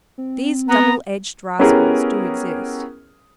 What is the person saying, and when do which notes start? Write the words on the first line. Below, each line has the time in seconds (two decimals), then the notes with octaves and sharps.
These double-edged rascals do exist.
0.18 C4
0.68 B3 A#5
1.59 B3 C#4 E4 G4 G#4 A#4